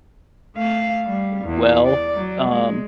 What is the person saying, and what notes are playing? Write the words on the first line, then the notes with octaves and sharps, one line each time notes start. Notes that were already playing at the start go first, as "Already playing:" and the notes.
pretty well. Um.
A3 F5
G3
E2
D5
F#3
G#3